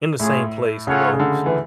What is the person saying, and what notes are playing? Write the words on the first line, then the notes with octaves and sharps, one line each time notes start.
in the same place, you know
A2 C#4 F4 G#4
C#3 C#4 F4 A4 C#5 F#5
C#3
D3
E3